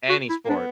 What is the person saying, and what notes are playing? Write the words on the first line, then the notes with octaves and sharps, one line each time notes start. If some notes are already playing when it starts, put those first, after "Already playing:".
Any sport.
F#4
E4
A#3
B3 D4